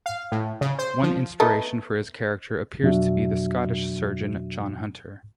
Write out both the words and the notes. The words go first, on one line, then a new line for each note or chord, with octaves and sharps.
One inspiration for his character appears to be the Scottish surgeon John Hunter.
F5
A2
C#3
C5
F3
A3 B3 D#4
F2 B2 F#3 D4 F#4 E5